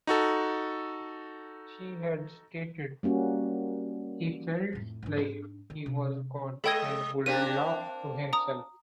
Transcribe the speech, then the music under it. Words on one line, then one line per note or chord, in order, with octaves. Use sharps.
She had stated, He felt like he was God and would laugh to himself.
D#4 F#4 A4
G3 A#3 C#4 F#4
F2 A2
G#2 D4
D#3
C3
G#3 A4 D#5 G5 G#6
A#3 C4 D4 D#7
A#5 D#6